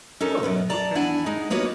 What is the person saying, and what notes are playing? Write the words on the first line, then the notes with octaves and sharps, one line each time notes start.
Oh, okay.
C#4 D#4 A4 A#4
F#2 B2 B3
D5 A5 A#5
E2 D#3 D4 E4 F#5 G#5
G#3 D#4
A#3 B3 F4 F#4 C#5 D#5